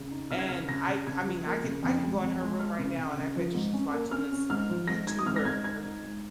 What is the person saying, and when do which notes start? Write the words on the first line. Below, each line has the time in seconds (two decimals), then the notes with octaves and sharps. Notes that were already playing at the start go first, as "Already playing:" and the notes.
And I I mean, I could I could go in her room right now and I bet you she's watching this YouTuber
Already playing: C#3
0.11 D#4
0.31 C#3 F6
0.39 G#6
0.48 C#3 F6
0.68 C#3 A#6
0.88 C#3
1.07 C#3 G#6
1.26 F3
1.45 A#3
1.63 C#3
1.83 F2
2.02 G#3
2.21 F2
2.40 G#3
2.59 G#3 F6
2.78 C#3
2.98 C#3
3.17 C#3
3.36 F3
3.54 G#2
3.73 C#4
3.92 A#3
4.11 C#4 F6
4.31 C#4
4.49 G#2 F6
4.69 F3
4.87 G#2 A#6
5.07 D#4 G#6
5.19 D#6
5.26 G#2 F6
5.36 A#6
5.45 G#2 G#6
5.64 D#4 G#6
5.84 D#4
6.02 G#3